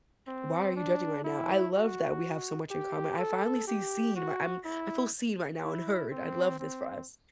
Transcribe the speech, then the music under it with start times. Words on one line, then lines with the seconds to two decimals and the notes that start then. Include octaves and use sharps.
Why are you judging right now?” I love that we have so much in common. I finally see seen where I'm I feel seen right now and heard. I'd love this for us,
0.27 C4
0.76 D4
1.24 E4
1.73 F#4
2.70 G4
3.19 A4
3.67 G4
4.16 F#4
4.65 E4
5.62 E4
6.11 C4
6.60 C4